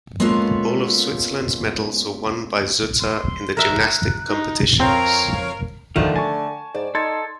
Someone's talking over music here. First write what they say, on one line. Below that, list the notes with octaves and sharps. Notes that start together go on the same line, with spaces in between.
All of Switzerland's medals were won by Zutter in the gymnastics competitions.
G#3 A#3 B3 C#4 F4 A4
C6
A#4 E5 A#5 F#6
D#4
F2 C4 A#4 C#5 F5 A#5
D3 D#3 F3 A3 F4 F#4
G#5 A5 C#6
G#2 D5
D#4 A4 C6 G#6 A6